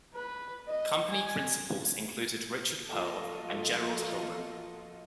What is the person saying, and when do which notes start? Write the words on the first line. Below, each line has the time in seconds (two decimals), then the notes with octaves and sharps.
Company principals included Richard Perle and Gerald Hillman.
0.14 B4
0.68 D#5
1.10 G#5
2.90 F3 A#3 F4 F#4 A4 D#5